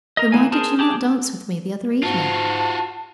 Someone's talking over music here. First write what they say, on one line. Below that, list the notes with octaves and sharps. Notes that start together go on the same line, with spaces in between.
"Then why did you not dance with me the other evening?"
A#4 D#5
E3 A#3 G#5
G#4 A#4 C5 A5
G4 G#4 A5 D6
G#2 F4 F#4 A5